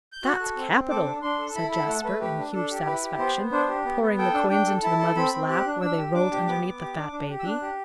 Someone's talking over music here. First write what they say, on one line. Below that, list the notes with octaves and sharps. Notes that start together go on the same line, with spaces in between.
"That's capital," said Jasper, in huge satisfaction, pouring the coins into the mother's lap, where they rolled underneath the fat baby.
G6
F#4 F#6
A4
C4
C4
A4 D6
D4
D4 C6
A4
E4 B5
A4 B5
A3 F#5
A4
A3 B4
G4 B4
D4
D4 A4
G4
E4 B4
G4
B3 C5
B3
D4 C5
G4
B3
B3
A4 G5
D4
D4 G5
A4
E4 A5
A4
C4 B5
C4
G4 F#6
D4
D4 E6
G4
D4 D6
G4
B3 D6
B3
G4
D4
D4
G4
E6
D4 F#6
G4